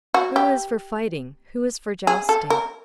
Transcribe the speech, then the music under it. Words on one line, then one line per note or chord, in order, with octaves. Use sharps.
Who is for fighting, who is for jousting?
F#4
G4
G#4
A4
A#4